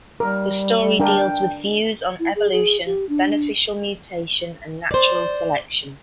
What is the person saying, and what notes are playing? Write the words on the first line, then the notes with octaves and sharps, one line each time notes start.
The story deals with views on evolution, beneficial mutation, and natural selection.
G3 A#4
D4 A#4 G5
E4
G#4
G#4
G4
D4
C5 D5